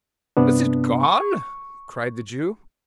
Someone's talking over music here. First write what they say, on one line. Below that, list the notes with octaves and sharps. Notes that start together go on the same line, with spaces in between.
'Is it gone?' cried the Jew.
G2 C3 B3 D4
C#6